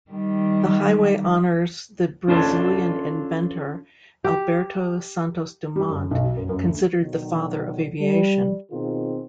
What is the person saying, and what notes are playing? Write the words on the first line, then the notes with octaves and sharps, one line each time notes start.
The highway honours the Brazilian inventor Alberto Santos-Dumont, considered the "father of aviation".
D#3 G3
C#4 D4 F4 A4 G#5 A5
G4
G3
F#2
B1
F#4
F#2
F#2
D2
B2 D3 D#3 F#3
G3
B2 D#3 C4 F4 G#4